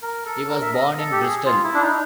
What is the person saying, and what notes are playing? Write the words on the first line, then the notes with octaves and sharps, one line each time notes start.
He was born in Bristol.
A#4
A4
A#4
E5
D#5
A4
G4
G#4
F4
E4
D4
D#4